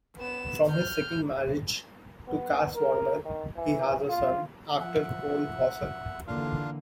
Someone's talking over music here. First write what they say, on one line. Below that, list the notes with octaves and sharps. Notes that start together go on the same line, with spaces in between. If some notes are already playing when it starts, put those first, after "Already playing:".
From his second marriage, to Cass Warner, he has a son, actor Cole Hauser.
B3 E7
F6 G6
B3
A#4
D#3
E3
F4
F3 E5 F#5
D3 E3 A#3 D4 F4 F5